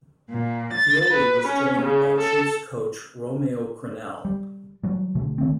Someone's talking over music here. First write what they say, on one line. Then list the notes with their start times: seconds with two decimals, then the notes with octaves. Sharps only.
Pioli was joined by Chiefs coach Romeo Crennel.
0.29 A#2
0.73 A6
1.11 B4
1.48 C#4
1.82 C#3
2.21 A4
4.25 G3
4.83 E3 F#3 G3
5.15 B2 D3 A3
5.38 D#3 A3 C4